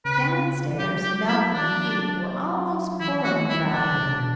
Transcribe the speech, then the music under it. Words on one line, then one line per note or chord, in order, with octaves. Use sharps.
Down-stairs, Malcolm and Keith were almost quarrelling about her.
C#3 B4
E3
F#3 G4
G4
E4
F#3 D4
E3 E4
B3 F#4
A3
G3 E4
F#3
E3 D4
C#3
C#3
B2